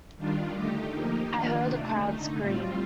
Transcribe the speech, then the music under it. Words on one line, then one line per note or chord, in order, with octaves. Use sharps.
I heard the crowd scream.
D#3 G3 D4 F4
D3 A3 D#4 G4
F3 A#3 D#4 G4
D#3 A#3 D4 F4
C3 D#3 A3 D4
D3 A3 D#4
A2 G3 C4 F4